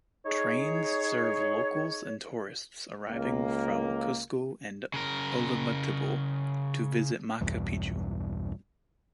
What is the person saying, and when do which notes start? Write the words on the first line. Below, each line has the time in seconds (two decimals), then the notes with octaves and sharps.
Trains serve locals and tourists arriving from Cusco and Ollantaytambo to visit Machu Picchu.
0.26 D#4 G#4 C#5
3.10 C#2 A#3
4.94 C#3 A#4
7.41 B1 E2 G2